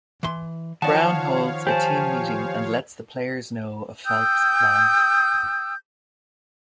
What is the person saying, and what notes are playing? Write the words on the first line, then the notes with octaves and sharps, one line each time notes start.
Brown holds a team meeting and lets the players know of Phelps' plan.
E3 C6
D#3 F3 C#5 D5 F5 F#5 A5
G4 C5 G#5 A5
G5 D#6 E6 G6